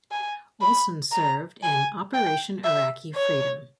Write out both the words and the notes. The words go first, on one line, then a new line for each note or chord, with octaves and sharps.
Olson served in Operation Iraqi Freedom.
G#5
B5
A#5
G#5
G5
E5
C#5